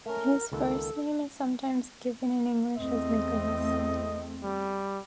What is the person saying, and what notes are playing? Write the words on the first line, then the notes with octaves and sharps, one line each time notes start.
His first name is sometimes given in English as Nicholas.
A3 C#4 A#4
C#2 D#3 A#3 A4
E2 A3 C4 D#5
G3